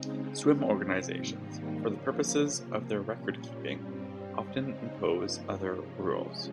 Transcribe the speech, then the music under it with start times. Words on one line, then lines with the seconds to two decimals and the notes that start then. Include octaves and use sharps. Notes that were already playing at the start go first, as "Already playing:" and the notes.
Swim organizations, for the purposes of their record keeping, often impose other rules.
Already playing: C#3 G#3 C4 D#4
0.48 C3 F3 C4
1.13 G#2 D#3 G3 A#3 D#4
1.78 C#3 F3 A#3 C#4
2.45 C3 F3 A#3
3.10 A#2 G3 C#4
3.75 G2 G3 C4
4.40 C#3 G#3 C4 D#4
5.06 G2 F3 A#3 D#4
5.71 C3 F3 G#3 C#4